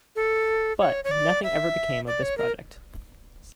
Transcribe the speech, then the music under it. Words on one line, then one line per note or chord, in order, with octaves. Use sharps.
But, nothing ever became of this project.
A4
C#5
C#5
D5
E5
D5
C#5
A#4